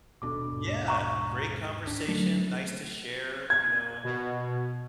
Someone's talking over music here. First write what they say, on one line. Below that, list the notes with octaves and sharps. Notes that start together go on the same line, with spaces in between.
Yeah, great conversation, nice to share, you know,
D#1 B2 D4 A4 D6
G#2
A#5 C#6
D1 D4 B6
D3 F#3 A3 D4
G#6
B2